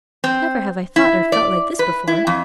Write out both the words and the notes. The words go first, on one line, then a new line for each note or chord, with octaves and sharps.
Never have I thought or felt like this before!
C4
E4
D5
B4
E4
F2